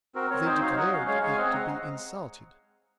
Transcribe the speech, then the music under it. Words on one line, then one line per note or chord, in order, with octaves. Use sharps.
They declared it to be insulted.
C4 F#4 A#4
C4 A#4 C#5
D#4 C5 D#5
F#3 C#5 F5
F#3 D#5 F#5
C#4 C#5 F5
G#3 C#5 F5
G#3 C#5 F5
G#5
C4 D#5 F#5
G#3 F#5 A#5